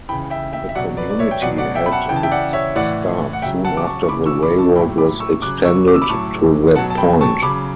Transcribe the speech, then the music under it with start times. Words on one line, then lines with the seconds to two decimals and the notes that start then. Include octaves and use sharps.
The community had its start soon after the railroad was extended to that point.
0.09 C#3 E3 G5 B5
0.30 E5 G5
0.53 E5 G5
0.69 E5
0.75 B2 F#3 D5 F#5
0.97 B4 D5
1.10 D5
1.19 C#5 E5
1.31 G5
1.42 B2 F#3 D5 F#5
1.58 D5 F#5
1.76 E5 G5
1.86 B5
1.92 F#5 A5
2.09 C#3 E3 G5
2.16 A5
2.23 E5 G5
2.31 D5 F#5
2.53 C#5 E5
2.75 A2 E3 D5 F#5
3.33 F#5
3.42 C#3 F#3 E5 G5
3.65 F#5 A5
3.77 D6
3.86 A5 C#6
4.03 C#6
4.08 C#3 E3 B5 D6
4.26 C#6 E6
4.43 B5 D6
4.58 A5 C#6
4.76 A2 F#3 G5 B5
4.98 B5 D6
5.20 C#6 E6
5.42 C#3 D6 F#6
5.46 F#3
5.64 C#6 E6
5.88 D6
5.94 E6
6.02 B5 D6
6.09 A2 F#3 A5 C#6
6.75 B2 F#3 F#5 A5
6.90 A5
6.98 G5 B5
7.21 A5 C#6
7.43 C#3 B5 D6
7.46 F#3